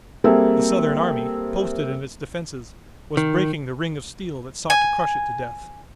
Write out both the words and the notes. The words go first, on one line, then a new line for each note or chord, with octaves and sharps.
The Southern army, posted in its defenses, was breaking the ring of steel that sought to crush it to death.
G3 A#3 C4 G#4 A4 E5
D#3
G#5